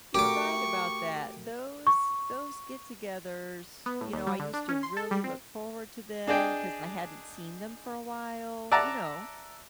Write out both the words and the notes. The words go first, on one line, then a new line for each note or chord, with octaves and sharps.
You're right about that. Those those get-togethers, you know, I used to really look forward to them, 'cause I hadn't seen them for a while, you know?
A3 F#4 G4 A#4 C#6 D6
C#6
B3
A2
D#2
G3
D3
D4
C#4
C6
A4
G3
C4
D4 G#4 D5 D#5 G5
D5 E5 F#5 A5 A#5